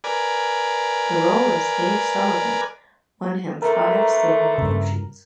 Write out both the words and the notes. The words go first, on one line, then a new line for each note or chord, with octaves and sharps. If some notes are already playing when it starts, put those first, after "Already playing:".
The role as Dave Sullivan won him five Silver Logies.
A#4 B4 D5 G#5
D3 E3 A3 A#4
G2 C#3